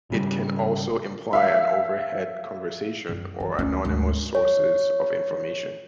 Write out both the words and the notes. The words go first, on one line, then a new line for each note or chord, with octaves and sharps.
It can also imply an overheard conversation or anonymous sources of information.
G#1 C#3 G3
E5 F5
F#2
E3
D2 C#4
G#1 D2
C#5